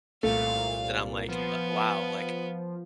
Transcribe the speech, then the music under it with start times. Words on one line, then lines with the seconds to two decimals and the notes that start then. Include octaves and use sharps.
that I'm, like, uh, wow, like,
0.23 C2 A#2 A3 F5
1.28 F3 B3